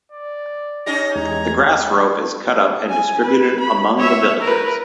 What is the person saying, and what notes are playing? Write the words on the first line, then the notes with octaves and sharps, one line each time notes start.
The grass rope is cut up and distributed among the villagers.
D5
C#4 D#4 G4 A#6
E2 G#3 A#5 G#6
G#5
B4
B5
C#5 E5
A#4 B4